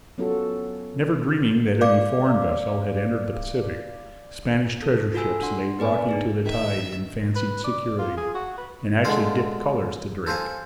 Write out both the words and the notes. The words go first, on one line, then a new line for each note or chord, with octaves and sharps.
Never dreaming that any foreign vessel had entered the Pacific, Spanish treasure-ships lay rocking to the tide in fancied security, and actually dipped colours to Drake.
F#3 B3 C#4 F4 F#4 A4
D5 F5 D6
A4
F4 F#4 A4 G#5 E6
D4 F#5 C6
B3 B4 D5 G#5
A#4
D4 D#4 G#4
D#3 E5 E6
B4
D5
F4
G#4
F#4
B4
D3 G#3 F4 F5 F#5 C6
A4 C5 F5 G#5